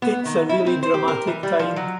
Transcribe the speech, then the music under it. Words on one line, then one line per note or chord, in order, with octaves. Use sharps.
It's a really dramatic time.
B3
D#3
E4
C4
C5
G4
A#4
E3
G3
F3
F#3